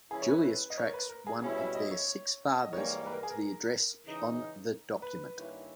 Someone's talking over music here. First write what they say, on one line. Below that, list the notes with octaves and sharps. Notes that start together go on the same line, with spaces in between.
Julius tracks one of their six fathers to the address on the document.
E3 G3 C#4 E4 G#4
C#5
B4
B4
D#5
C#5
A#4
B4
A#4
G#4
B2 G3 C#4 E4 G#4
E5
D#5
C#5
D#5
G#2 E3 G3 A#3 C#5
B4
A#4
G#4
A#4
C#3 E3 G#3 D#4
B4
G2 D#3 A#3 C#4 E4